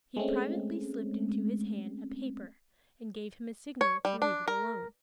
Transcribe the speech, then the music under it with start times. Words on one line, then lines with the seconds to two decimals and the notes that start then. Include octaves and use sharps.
He privately slipped into his hand a paper, and gave him a signal to read it alone.
0.17 G#3 A3 C4 C#4
3.81 C#5
4.05 G3
4.22 D4
4.48 A#4